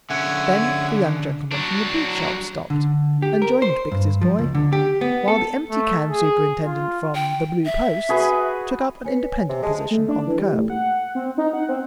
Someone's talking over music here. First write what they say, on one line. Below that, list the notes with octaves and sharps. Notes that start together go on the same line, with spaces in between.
Then the young gentleman from the boot-shop stopped, and joined Biggs's boy; while the empty-can superintendent from "The Blue Posts" took up an independent position on the curb.
D3 C#4 E5 F#5 G#5
F#3 D4
D3
G4
A#4
C5
G2
F3
C#2
D3
G4
B3
A4
A3
G#4
F4
G5
E5
F#4 G#4 B4
B4 C#5 G#5
G#5
C3
G#3 A5
A3
D4
E3
G3
A2
F#5
C4
D#4
F#5
C4